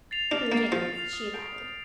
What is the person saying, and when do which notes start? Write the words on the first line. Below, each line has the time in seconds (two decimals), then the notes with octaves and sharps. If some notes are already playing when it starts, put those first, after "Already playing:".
Henry James, she had added.
0.11 A6 C7 F7
0.32 D4 F6
0.52 A#3 A6 C7 F7
0.72 F3 F6
0.93 A6 C7 F7
1.13 D#6
1.34 G6 D7
1.54 D#6